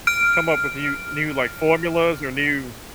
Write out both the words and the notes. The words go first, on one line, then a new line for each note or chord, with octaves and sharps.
come up with you new like formulas or new
F6 D7